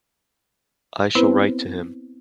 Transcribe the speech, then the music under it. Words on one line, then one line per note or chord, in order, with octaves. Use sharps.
I shall write to him.
B3 C4 E4 B4 C5